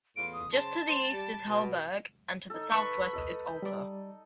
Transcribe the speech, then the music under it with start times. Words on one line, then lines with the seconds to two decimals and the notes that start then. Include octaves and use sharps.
Just to the east is Helberg, and to the southwest is Alter.
0.16 E2 A2 F4 D7
0.33 D#6
0.52 C#3 C5 A5
0.88 C5
1.13 G3
1.47 B2
2.50 D#4 A4
2.72 B4 C#6
3.13 A4 D#5
3.47 G6
3.63 G3 D5